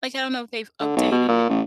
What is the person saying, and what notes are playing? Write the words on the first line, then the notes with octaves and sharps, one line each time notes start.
Like, I don't know if they've updated it
D3
B1
B2
A#2
A1